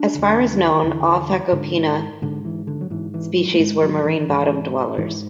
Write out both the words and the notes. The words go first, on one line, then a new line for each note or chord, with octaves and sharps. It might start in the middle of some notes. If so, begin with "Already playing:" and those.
As far as known, all Phacopina species were marine bottom-dwellers.
Already playing: D4
E2 D3
E2 D3 E3
G#2 D3
G#2 D3
E3
D3
F#3
G#2 E3
E3
F#3
A3
G#2 G#3
F#3
E3
G#2
G#2 E3